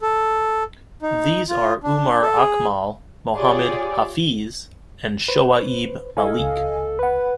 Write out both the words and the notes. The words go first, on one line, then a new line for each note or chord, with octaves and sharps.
These are Umar Akmal, Mohammad Hafeez and Shoaib Malik.
A4
D#4
F4
D4
A4
G#4
F4 G4 G#4 C#5 D5
B4 C5
E4 A4 D#5 F5 G#5
C#2
B4 F#5 B5